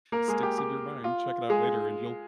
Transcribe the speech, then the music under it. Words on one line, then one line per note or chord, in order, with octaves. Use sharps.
sticks in your mind, check it out later and you'll
A#3 A#4
G#3 G#4
G4
G4
F4
G#3 G#4